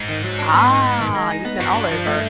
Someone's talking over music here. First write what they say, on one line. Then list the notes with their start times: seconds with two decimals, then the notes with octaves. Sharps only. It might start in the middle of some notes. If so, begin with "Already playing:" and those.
Ah, you've been all over.
Already playing: G#2
0.09 D#3
0.24 F#3
0.39 D4
0.54 B3
0.70 D#4
0.84 B3
1.00 D#3
1.15 G#3
1.31 D#4
1.45 B3
1.60 G2 F#4
1.76 D4
1.91 F3
2.06 A3